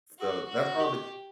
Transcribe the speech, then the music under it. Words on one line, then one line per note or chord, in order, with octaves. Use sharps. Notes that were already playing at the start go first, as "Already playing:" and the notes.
so that's all the
F#4
F#4
G4